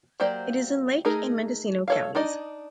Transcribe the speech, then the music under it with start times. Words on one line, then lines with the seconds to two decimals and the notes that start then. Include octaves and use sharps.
It is in Lake and Mendocino counties.
0.20 F#3 A#3 G4 C5 D5
1.05 A3 D#4 G#4 A#4
1.88 A4 C#5 F5
2.15 D4 D#4 D5 D#5